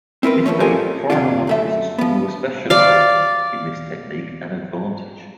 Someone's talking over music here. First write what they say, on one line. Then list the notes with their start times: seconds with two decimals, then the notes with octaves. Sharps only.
This gave foreign artists who were specialized in this technique an advantage.
0.23 C4 E4 A#4 B4
0.46 F3 F#3 A3 C#4
0.60 F4 G4 A4 A#4 D#5 G#5
1.10 F2 G#2 C3 D4 F4
1.47 F#2 A3 E5
1.98 F3 B3
2.70 D5 F5